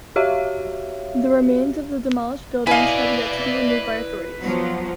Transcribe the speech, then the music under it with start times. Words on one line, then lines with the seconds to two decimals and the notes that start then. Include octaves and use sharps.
The remains of the demolished buildings have yet to be removed by authorities.
0.16 F#4 G4 C#5 E5 F5
2.67 E4 B4 D5 D#5 F5 G#5
4.40 F3 F#3 B3